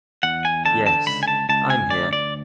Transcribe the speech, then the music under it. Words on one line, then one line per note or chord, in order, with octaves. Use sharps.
Yes, I'm here.
E2 F#5
G#5
D3 A5
A5
C#2 B5
G#5
A5
C#2 A5
G#5
D2 D5
D5